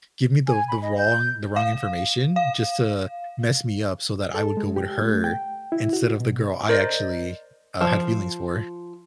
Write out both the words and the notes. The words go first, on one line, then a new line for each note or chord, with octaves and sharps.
give me the the wrong the wrong information just to mess me up so that I would go with her instead of the girl I actually, uh, had feelings for.
G#5
B5
D#5
G6
F5
F5
A4
G#3
G4
A3
G5
E4
F#4
B2
A#4 C5 D5 D#5
F3